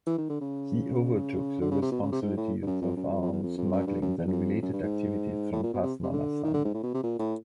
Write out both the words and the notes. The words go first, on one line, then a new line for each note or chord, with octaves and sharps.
He overtook the responsibilities of arms smuggling and related activities from Pathmanathan.
E3
D#3
D3
C#3
D3
C#3
C3
B2
C#3
C3
G#2
A2
G2
F#2
F2
F#2
F2
F2
E2
F2
F2
F#2
G2
F#2
E2
F#2
F2
F#2
G2
G#2
A2
A#2
B2
C3
C3
C#3
D3
D#3
D3
G#2
A2
B2
C3
A#2
A2